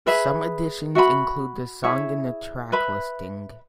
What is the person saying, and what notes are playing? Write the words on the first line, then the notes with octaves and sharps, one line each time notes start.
Some editions include the song in the track listing.
G#4 B4 E5 B5
F#4 E5 G#5 B5
E4 G#4 C#5 E5
B4 E5 B5